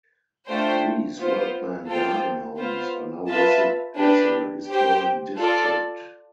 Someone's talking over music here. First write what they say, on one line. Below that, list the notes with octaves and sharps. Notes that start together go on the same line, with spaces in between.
These well-planned garden homes are now listed as a historic district.
A3 D4 F4 C5 G5
B3 F4 C5
F4 A4 C5 G5
B3 F4 C5
F4 B4 E5 A5
D4 G4 B4
G4 C5 G5
F4 A4 D5